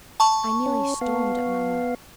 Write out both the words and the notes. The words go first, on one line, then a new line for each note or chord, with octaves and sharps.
I nearly stormed at Mamma.
A5 C#6
C#4
B3 F5